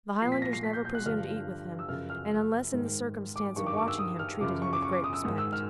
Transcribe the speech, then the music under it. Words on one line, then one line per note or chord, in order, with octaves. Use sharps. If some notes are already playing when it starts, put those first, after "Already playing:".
The Highlanders never presumed to eat with him, and, unless in the circumstance of watching him, treated him with great respect.
A#2 F3 C7
B6
A#6
C7
B6
G6
G6
F#6
G2 D3 F3 F6
E6
F#2 C#3 F3 F6
F6
G#2 D#3
D6
G2 D#3 C#6
D6
C#6
D6
E6
D#6
F6
F#2 C#3 F3 D6
C#6
D6
C#6
D6
D#6
E6
G#2 D#3 D#6
E6
F6